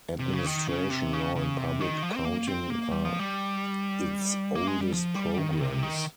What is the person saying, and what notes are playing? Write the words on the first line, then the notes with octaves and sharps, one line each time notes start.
Administration, Law and Public Accounting are its oldest programs.
C3
C#3
D#3
C#3
C3
C#3
C#3
C3
D#3
F3
C4
A#3
C4
A#3
G3
F3
G3
A#3
G#3
G3
F3
G3
D#3
C3
D#3